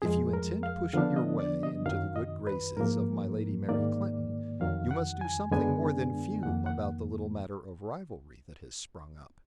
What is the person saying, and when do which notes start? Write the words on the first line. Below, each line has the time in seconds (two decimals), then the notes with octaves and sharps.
"If you intend pushing your way into the good graces of my lady Mary Clinton, you must do something more than fume about the little matter of rivalry that has sprung up."
0.02 F2 F3 G#3 G#4
0.33 A#4
0.63 F5
0.93 D3 F3 B3 D4 F5
1.16 D#5
1.39 D5
1.63 D#5
1.86 F#2 D#3 F#3 F5
2.16 D#5
2.47 B4
2.77 G#2 F3 A#3 A#4
3.69 G#2 D#3 A#3 D5
4.60 F2 D#3 F#3 F5
4.91 F#5
5.21 G#5
5.51 F#2 D3 G#3 B3 D4 G#5
6.43 F2 D#3 A#3 F#5
6.66 F#5